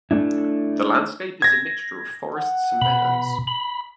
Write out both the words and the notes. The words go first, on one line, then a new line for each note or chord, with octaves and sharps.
The landscape is a mixture of forests and meadows.
A3 D4 E4
G#6 A#6
F#5
B2 B5
B5